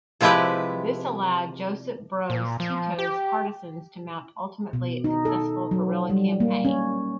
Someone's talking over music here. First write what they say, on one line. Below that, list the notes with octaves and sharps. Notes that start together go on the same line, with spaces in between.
This allowed Josip Broz Tito's Partisans to mount ultimately successful guerrilla campaign.
C3 F3 G#3 E4 G4 B4
A#2
F3
G4
B2
D#4
A4
F#3
G3
A#3
C#4